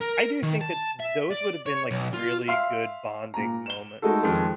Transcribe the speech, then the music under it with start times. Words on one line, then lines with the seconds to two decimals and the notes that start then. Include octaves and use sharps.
I do think that those would have been, like, really good bonding moments.
0.01 A#4
0.43 D#3
0.61 A5
1.00 E5
1.31 D5
1.66 C#5
1.91 B1
2.14 F4
2.48 E5 F5 C6 F6 C7
3.34 A#2 A#5
3.66 E7 G7
4.02 G#3 A3 D#4 F#4 A4
4.23 F2 D#3 G#3